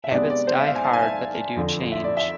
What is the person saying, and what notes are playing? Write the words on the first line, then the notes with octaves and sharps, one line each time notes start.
Habits die hard, but they do change.
E5
C3 G#3 B3 D4 D5
D5
C5
E5
F5
G#5
A5
G#5
E5
F2 D3 F3
E5
D5
E5